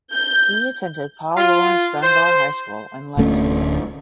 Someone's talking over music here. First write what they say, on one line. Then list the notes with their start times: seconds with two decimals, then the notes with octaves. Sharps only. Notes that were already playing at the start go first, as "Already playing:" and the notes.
He attended Paul Laurence Dunbar High School in Lexington.
0.13 G6
1.37 F4
2.03 C5
3.17 D1 D2 A3 C#4